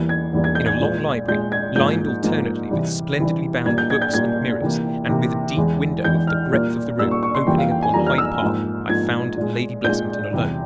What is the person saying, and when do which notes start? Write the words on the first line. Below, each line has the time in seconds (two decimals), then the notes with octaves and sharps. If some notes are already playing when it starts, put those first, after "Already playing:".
In a long library, lined alternately with splendidly bound books and mirrors, and with a deep window of the breadth of the room opening upon Hyde Park, I found Lady Blessington alone.
Already playing: E2 E3 G3 A#3
0.09 G#6
0.33 E2 E3 G3 A#3
0.44 G#6
0.55 G6
0.66 G#6
0.81 A#2 G#3
1.28 A#2 G#3 G6
1.52 G#6
1.76 G#2 F3 A#3 G6
2.23 G#2 F3 A#3
2.71 C3 E3 G3
3.19 C3 E3 G3
3.66 A#2 G3 A#3 G#6
3.78 G6
3.90 G#6
4.02 G6
4.14 A#2 G3 A#3 G#6
4.61 C3 E3 A#3
5.09 C3 E3 A#3
5.57 E2 E3 G#3
6.04 E2 E3 G#3 G6
6.27 F6
6.52 A#2 G3 A#3
6.99 A#2 G3 A#3 E6
7.11 C#6
7.23 C#6
7.35 C6
7.46 F2 E3 G3 A#3 G5
7.58 F5
7.70 G5
7.83 G#5
7.94 F2 E3 G3 A#3 A#5
8.07 F6
8.18 E6
8.42 G#2 F3 A#3
8.89 G#2 F3 A#3 G#6
9.37 A#2 G#3
9.84 A#2 G#3 G6
10.32 E2 C3 G3